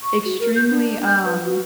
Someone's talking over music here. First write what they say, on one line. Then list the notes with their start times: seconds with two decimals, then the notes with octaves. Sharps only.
extremely um
0.02 C#6
0.25 F#4
0.40 A#4
0.56 G6
0.70 D4
1.05 G6
1.25 B4
1.45 F#4